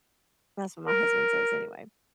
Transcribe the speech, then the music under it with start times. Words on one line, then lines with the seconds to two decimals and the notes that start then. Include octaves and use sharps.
that's what my husband says anyway-
0.86 A#4